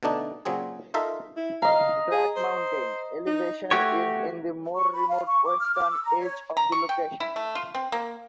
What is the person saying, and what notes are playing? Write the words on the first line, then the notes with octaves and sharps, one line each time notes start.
Black Mountain, elevation is in the more remote western edge of the location.
B2 D3 A3 D4 D#4
A#2 C#3 F#3 C4 G#4
D#4 F4 A4 A#4 E5 F5
E4
D#5 F5 A#5
G#4
C5
D#4
A3 F#4 G4 C#5
C#6
B5
F5
C#6
D6
F6
D6
E6
A#5
C#5
A#5
C#6
G5
E4
A3
F4
C4
A#3